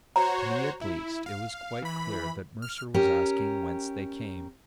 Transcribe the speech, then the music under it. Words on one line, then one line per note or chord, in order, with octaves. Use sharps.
To me, at least, it was quite clear that Mercer was asking whence they came.
F#4 C5 C#5 A#5
E4
F5
E3 B5
F6
C#4 G4 A#4